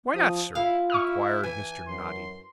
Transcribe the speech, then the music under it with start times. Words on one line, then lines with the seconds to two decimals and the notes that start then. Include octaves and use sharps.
'Why not, Sir?' inquired Mr. Noddy.
0.14 F3 D#6
0.55 E4 F4 F5
0.90 E4 C#6 D#6 F6
1.43 E3 G#5
1.88 F#2 C6